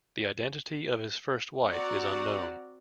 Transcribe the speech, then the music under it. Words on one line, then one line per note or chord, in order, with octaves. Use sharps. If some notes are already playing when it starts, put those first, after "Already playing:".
The identity of his first wife is unknown.
C4 F#4 D5 F#5 A#5